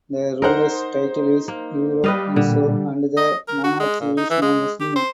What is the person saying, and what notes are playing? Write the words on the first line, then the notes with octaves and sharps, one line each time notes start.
The ruler's title is "Uro Eso" and the monarchy is now Muslim.
D#4 A#4 C5 F#5
A#3
G3 B4 D#5 F5
A#2 D3
D#5
A#4
F#4
G#3
A#2
D#4
E3
G#3
G4
C5